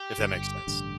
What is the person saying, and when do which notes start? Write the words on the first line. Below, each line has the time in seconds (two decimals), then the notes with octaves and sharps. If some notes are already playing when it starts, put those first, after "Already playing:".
if that makes sense.
Already playing: G4
0.18 G1 G2 D3
0.67 A1 G2 D3